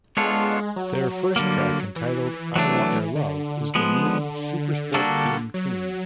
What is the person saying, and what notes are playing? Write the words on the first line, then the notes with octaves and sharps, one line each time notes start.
Their first track; entitled "I Want Your Love" is the new SuperSport theme tune.
G#3 B3 D4 F4 A4 C#5
F#3
D3 G3 A#3
E3
E3 F#3 A3 D4
D3
F3 G#3 B3
D3
G3 A#3 D4 F#4 A4
F#3